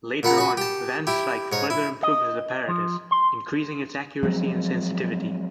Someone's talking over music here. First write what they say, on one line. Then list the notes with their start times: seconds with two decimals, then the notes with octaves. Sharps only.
Later on, Van Slyke further improved his apparatus, increasing its accuracy and sensitivity.
0.23 A#2 B4 F#5 A#5
0.38 F#4 B4
0.57 G4 A5
1.07 E4 G4
1.52 G#2 C#5
1.70 E4
2.03 D#5
2.68 F3
3.11 C6
4.23 F3 F#3 G#3 C4